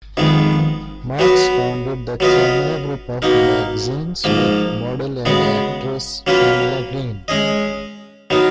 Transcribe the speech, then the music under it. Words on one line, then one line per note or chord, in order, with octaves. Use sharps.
Marks founded the Kamera group of magazines with model and actress Pamela Green.
F2 D#3 G#3 B3
F#3 B3 F#4 B4
F#3 B3 F4 B4 D#5
B2 A#3 D#4 A#4
G#2 F3 A#3
C#3 G#3 B3 F#4
F#3 A#3 C#4 F4 B4
G#3 C#4 G#4 D#5
F#3 B3 D#4 A#4